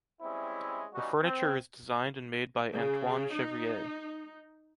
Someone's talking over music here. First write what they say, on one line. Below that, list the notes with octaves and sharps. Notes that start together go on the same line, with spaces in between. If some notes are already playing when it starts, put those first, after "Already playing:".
The furniture is designed and made by Antoine Chevrier.
G3 G#3 C4 C#4 E4
B2 E3 G3 C#4 D#4 F#4
C4
C#3
D#4